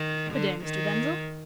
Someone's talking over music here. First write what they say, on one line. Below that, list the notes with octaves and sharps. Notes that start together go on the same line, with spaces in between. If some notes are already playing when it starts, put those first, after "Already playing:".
Good-day, Mr. Denzil.
Already playing: D#3
D3
D#3